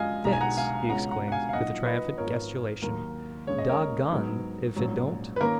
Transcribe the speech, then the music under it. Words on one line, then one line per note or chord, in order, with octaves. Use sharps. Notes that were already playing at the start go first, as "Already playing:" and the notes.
"Fits!" he exclaimed, with a triumphant gesticulation, "Dog-goned if it don't!"
Already playing: F#2 F3 G#3 D#5 F5 G#5
B1 B2 G#3 D#4 A#5
G#5
F#5 A#5
F5 G#5
C#2 B2 G#3 C#4 F#5 A#5
F#5 A#5
F#5
F5 G#5
F5
A#1 A#2 F#3 A#3 D#4 D#5 F#5
B4 D#5
G#1 G#2 F3 B3 A#4 C#5
D#2 D#3 F#3 A#3 A#4
D#2 C#3 G#3 C#5
D#5
A#4 C#5
G#2 F#3 B3 D#4
A#1 G#2 F#3 C#4
B4
D#3 A#3 C#4 A#4